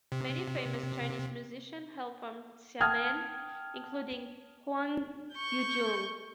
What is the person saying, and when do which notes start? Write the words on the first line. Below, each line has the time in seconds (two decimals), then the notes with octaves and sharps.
Many famous Chinese musicians hail from Xiamen, including Huang Yujun.
0.12 C3
2.80 F#5 G5 A5 D#6 F6 G#6
5.33 C#6 G6